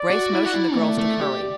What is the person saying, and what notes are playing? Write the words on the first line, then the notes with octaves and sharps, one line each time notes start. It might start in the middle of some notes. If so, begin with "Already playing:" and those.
Grace motioned the girls to hurry.
Already playing: D5
F#4
E4
F#4
E4
A3 D5
A3
G4